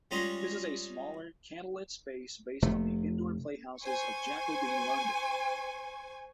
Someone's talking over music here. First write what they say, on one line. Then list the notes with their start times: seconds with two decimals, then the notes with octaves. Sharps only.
This is a smaller, candle-lit space based on the indoor playhouses of Jacobean London.
0.11 G3 G#3 C#4 F4 A#5 C6
2.62 F1 C3 A3
3.81 C5 G#5 C#6